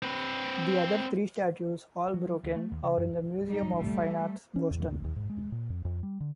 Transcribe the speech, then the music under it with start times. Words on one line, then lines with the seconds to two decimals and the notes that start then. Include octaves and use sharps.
The other three statues, all broken, are in the Museum of Fine Arts, Boston.
0.03 C4 B4
2.14 F#3
2.44 D2
2.56 A3
2.71 D#2
2.83 C#3
2.97 F#2
3.45 G3 D#4
3.75 G3 A3
4.56 C#4
4.71 E2
4.88 D2
5.04 D#2
5.16 G#2
5.30 G#3
5.52 A#2
5.70 F2
5.85 F2
6.03 G3
6.20 D3